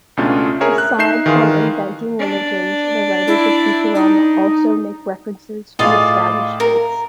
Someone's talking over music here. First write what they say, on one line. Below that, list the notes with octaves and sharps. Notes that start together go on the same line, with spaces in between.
Aside from inventing religions, the writers of "Futurama" also make references to established faiths.
C#2 B2 A3 C#4 D4 F4
G#4 A#4 C#5 E5
F#6
D#4 E5 G6 C7 E7
D#3 E3 G#4 F5 C6
D4 D5
E4
D#4
A2 F4 G#4 D5 D#5 F5
A#4